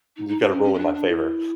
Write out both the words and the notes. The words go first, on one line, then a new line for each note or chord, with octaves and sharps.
you gotta rule in my favor."
D#4
D#4
D4
C#4
C#4
C#4
D4
D4
E4